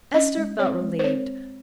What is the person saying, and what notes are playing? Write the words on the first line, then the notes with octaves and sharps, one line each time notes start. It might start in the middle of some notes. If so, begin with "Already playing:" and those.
Esther felt relieved.
C#4 D#5
G#3
C4 C#5
G#3
C5
C4 C#5